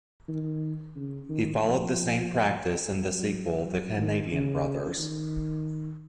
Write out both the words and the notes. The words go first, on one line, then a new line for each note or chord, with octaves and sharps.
He followed the same practice in the sequel, "The Canadian Brothers".
D#3
C#3
D#3
F3
F#3
F#3
D#3
C#3
D#3